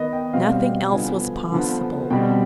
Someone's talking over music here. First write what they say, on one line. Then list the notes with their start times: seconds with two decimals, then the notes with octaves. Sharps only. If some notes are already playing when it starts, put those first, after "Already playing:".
Nothing else was possible.
Already playing: D#3 B3 D#5
0.13 G5
0.33 B2 G3 C4 F5
0.42 G5
0.52 F5
0.62 F5
0.92 D3 F3 B3 G#5
1.52 D3 F3 B3
2.10 B2 G3 C4 G5